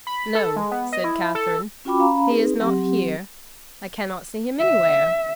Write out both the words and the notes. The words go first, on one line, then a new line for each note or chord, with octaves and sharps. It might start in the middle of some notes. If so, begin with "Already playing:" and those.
"No," said Catherine, "he is not here; I cannot see him anywhere."
B5
A4
G#3
B3
D#5
E4
A4
C#4 F4 F#4 G5 B5 D6
C#4 F5 A#5 B5
C4 D#4 G#4 B4
F#3 C4 G4
E5